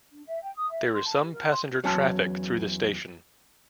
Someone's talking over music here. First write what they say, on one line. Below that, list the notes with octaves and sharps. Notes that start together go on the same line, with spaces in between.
There is some passenger traffic through the station.
D4
E5
G5
D#6
E5
C6
A5
G4
A#4
C6
E2 F#3 C#4 F#5 A5 C6